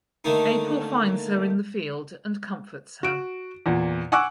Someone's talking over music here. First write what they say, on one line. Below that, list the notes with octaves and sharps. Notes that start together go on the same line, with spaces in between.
April finds her in the field and comforts her.
D3 D#3 A3 A#3 D#4
F#4 D7
E2 A#2
F#5 G#5 C#6 D6 E6 F#6